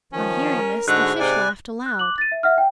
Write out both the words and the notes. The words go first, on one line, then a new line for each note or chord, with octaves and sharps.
On hearing this the fish laughed aloud.
D#3 F3 C#4
A#4
G#2 D3 G#3 F#4 F#6
C3 D5 G#5
F#6
D6 F#6 F#7
A6 D#7
E5
E5 F#5 F6
G5